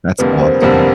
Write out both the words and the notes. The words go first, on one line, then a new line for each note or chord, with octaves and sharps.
That's awesome.
F1 F2 D3 G3 A#3 B4
C5
F1 F2 D3 G3 A#3 C5